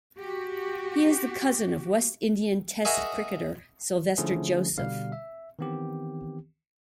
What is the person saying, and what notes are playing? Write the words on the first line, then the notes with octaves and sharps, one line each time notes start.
He is the cousin of West Indian Test cricketer Sylvester Joseph.
F#4 G4
F#4 G#4 A#4 D#5 E5 G#5
D3 F3 A3 C#4 E4 G#4
B2 D3 G3 F5
E5
D#3 E3 B3 C4 G4